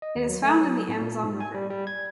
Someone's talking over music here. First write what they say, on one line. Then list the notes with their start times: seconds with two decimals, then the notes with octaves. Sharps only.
It is found in the Amazon River.
0.02 D#5
0.16 D#2
0.28 F#3
0.42 A3
0.61 F#3
0.89 A2
1.01 A#2
1.24 G#2
1.40 G#5
1.54 G3
1.70 G3
1.87 G#6